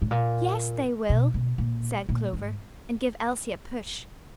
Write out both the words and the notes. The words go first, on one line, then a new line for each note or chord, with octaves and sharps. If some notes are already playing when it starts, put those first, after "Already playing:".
"Yes they will!" said Clover; and gave Elsie a push.
A2
A#2
B2
B2
A#2
A#2
G#2